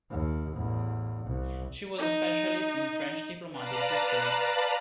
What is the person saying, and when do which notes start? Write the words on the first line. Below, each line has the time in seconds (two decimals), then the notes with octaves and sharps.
She was a specialist in French diplomatic history.
0.11 D#2
0.53 A1 E2
1.26 C2
1.98 D#4
3.51 B4 D5 F5 A5 A#5 F#6